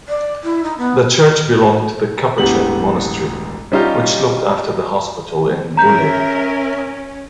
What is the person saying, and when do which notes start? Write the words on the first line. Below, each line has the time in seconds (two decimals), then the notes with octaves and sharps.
The church belonged to the Capuchin monastery, which looked after the hospital in Bulle.
0.09 D5
0.44 E4
0.64 D#4
0.78 B3
2.38 E1 A1 B3 G4 F#7
3.72 G3 C#4 D#4 F4 G4
5.77 C#4 A#4 E5 A#5 G6